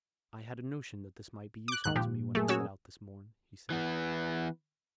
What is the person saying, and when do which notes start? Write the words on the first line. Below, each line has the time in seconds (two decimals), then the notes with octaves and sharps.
"I had a notion that this might be useful to me when I set out this morn," he said.
1.68 D6 F#6
1.84 D#2 G#2 F#6
1.96 A#2 F3 G4
2.35 F#3 A3 G#4 A#4
2.48 C#4 F#4 C#5 E6
3.70 E3 B3